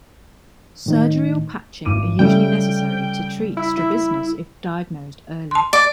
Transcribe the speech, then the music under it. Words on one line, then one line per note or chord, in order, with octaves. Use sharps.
Surgery or patching are usually necessary to treat strabismus if diagnosed early.
A2 D#3 D#4
G#1 D6 D#7
C#3 G3 A3 G5
E4
E4
A5 C6
D5 D6